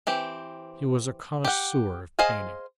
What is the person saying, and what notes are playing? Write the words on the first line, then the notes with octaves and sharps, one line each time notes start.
He was a connoisseur of painting.
E3 C4 G4
G4 F#5
G#4 C5 D#5 F5 G#5